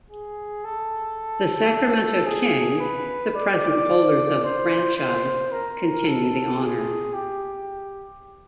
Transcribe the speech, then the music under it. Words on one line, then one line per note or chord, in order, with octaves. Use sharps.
The Sacramento Kings, the present holders of the franchise, continue the honor.
G#4
A4
G#4
B4
D5
C5
C5
A#4
A4
G#4
G4